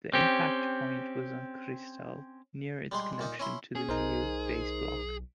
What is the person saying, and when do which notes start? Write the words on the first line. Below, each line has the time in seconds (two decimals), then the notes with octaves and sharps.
The impact point was on Kristall, near its connection to the Mir base block.
0.13 C4 C#4 G4
2.92 G3 G#3 C6
3.19 A#2 A#3 D#4
3.39 C#4 E4 C6
3.76 C#4 G#4
3.89 B1 D#4 A#4 C5